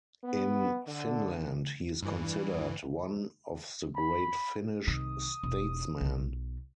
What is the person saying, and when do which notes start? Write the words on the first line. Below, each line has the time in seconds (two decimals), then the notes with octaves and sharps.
In Finland, he is considered one of the great Finnish statesmen.
0.24 B3
0.86 D3
2.03 G2 E3
3.96 B5
4.87 C2 D#3 D#6
5.43 E1
6.00 B1